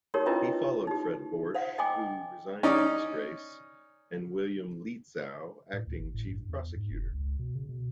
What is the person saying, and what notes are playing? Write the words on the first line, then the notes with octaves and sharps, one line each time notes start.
He followed Fred Borch, who resigned in disgrace, and William Lietzau, acting Chief Prosecutor.
D#4 F#4 G4 A#4 C#5
C#4 D4 E4 F4 B4 D#5
D#4 G4
C5 F5 F#5
D#5 G5 G#5 D6
C#4 D#4 D5
A2
D2
G#1
A2
G2
E2
G#2
F1
C#2
B2
C#3
B2